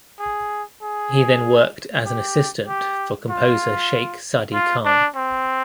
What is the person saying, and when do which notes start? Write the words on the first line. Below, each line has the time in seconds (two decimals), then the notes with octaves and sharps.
He then worked as an assistant for composer Sheikh Sadi Khan.
0.19 G#4
0.82 G#4
2.06 G4
2.68 G4
3.30 F4
4.54 F4
4.85 D4
5.16 C4